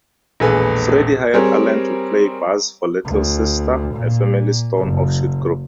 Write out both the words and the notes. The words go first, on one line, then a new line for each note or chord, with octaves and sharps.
Freddie hired Allen to play bass for Little Sister, a Family Stone offshoot group.
E1 A#1 G#4 A4 B4
G3 C4 G#4 A#4 C#5
D2
A#2
F#1